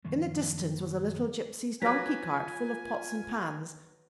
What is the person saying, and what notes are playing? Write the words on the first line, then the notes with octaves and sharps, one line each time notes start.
In the distance was a little gipsy's donkey cart full of pots and pans.
F#2 D#3 F3 A#3
F#3 F4 B4 G#5 G#6 A#6 B6